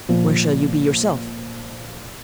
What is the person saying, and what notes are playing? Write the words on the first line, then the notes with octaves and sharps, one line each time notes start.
"Where shall you be yourself?"
A#2 F3